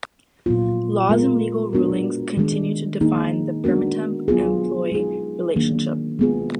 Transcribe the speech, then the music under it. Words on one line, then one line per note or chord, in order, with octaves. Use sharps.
Laws and legal rulings continue to define the permatemp-employee relationship.
A#2 F#3 B3 F4
G#3 B3 F4 A#4
G#3 B3 D4 F#4 A#4
D#3 G#3 D4
D#3 A#3 D#4 G#4
G#3 B3 D4 F#4 A#4
F#3 B3 F4 G#4
G#3 D#4 G#4
D#3 F#3 A#3 D4
G#3 B3 F4 G#4